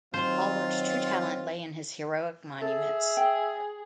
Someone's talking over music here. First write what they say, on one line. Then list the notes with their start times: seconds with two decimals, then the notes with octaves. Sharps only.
Allward's true talent lay in his heroic monuments.
0.14 D#3 F#3 C4 F4 C5
2.61 G#4 A4 E5
3.17 G5